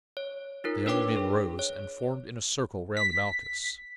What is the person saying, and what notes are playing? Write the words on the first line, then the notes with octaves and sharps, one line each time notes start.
The young men rose and formed in a circle round Malchus.
C#5
D#4 F4 A#4
D4 B4 C#5 G5 D6
G#4
C#5
B6